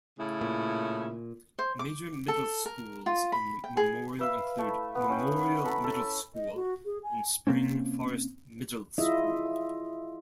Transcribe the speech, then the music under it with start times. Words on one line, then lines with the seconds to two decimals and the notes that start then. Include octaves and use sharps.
Major middle schools in Memorial include Memorial Middle School and Spring Forest Middle School.
0.19 A2 C#3 E4
0.41 A#2
1.59 C5
1.79 D6
2.28 A4
2.66 A#4
3.06 F4
3.32 B5
3.64 G5
3.77 G#4
4.19 B4 E5 F5
4.59 A3 E4
4.95 B3
5.09 C#4 E4 F#5 G5
5.64 A4 F#5 A#5 B5
5.84 A4
6.35 D#5
6.55 F#4
6.85 G#4
7.03 G#5
7.47 C3 A#3 C4 C#4
8.98 E4 F4 G#4 D#5 E5